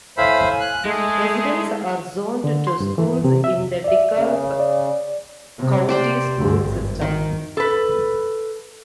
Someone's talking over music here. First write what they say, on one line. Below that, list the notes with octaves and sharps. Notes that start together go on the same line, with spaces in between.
Residents are zoned to schools in the DeKalb County School System.
A2 C5 E5 F5 G#5 B5
F#6
G#3 A3 D#4 G#4
D3
C6
G2
E3
C3
E5
D5 E5
C#3
D5
C3
G4 C5 D5
D2 G2
G#1
D#3
A4 B4